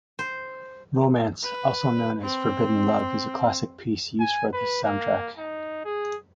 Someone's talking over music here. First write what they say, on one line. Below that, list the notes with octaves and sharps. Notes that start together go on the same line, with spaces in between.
"Romance", also known as "Forbidden Love" is a classic piece used for this soundtrack.
C5
B4
C4
G#5
B4
A#3
D#4
G#4